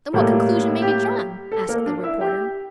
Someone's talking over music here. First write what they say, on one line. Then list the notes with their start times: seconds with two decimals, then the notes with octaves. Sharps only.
"Then what conclusion may be drawn?" asked the reporter.
0.13 A2 G3 A#3 A4
0.82 G4
1.52 A4
1.69 A#3 A#4
1.86 D4 D5
2.03 E4 E5
2.21 G4 G5